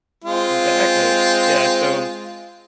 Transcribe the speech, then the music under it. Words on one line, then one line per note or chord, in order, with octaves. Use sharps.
Exactly. Yeah, so
G#3 C4 F4